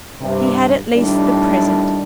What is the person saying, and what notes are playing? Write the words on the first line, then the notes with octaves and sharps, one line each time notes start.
He had at least the present!
G2 C3
A2 D#3 G3 D4